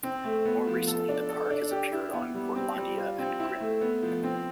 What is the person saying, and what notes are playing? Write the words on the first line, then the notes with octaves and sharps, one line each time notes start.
More recently, the park has appeared on "Portlandia" and "Grimm".
C4
A3
B3
F3
A4
D4
A4
D4
G4
E4
B3
G3
C4
G3
F4
C4
E4
A3
B3
F3
C4